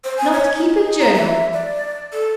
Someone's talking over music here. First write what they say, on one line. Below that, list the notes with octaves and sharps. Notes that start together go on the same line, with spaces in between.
Not keep a journal!
C5
G#5
C#5
D#4
A#5
E5
D5
A4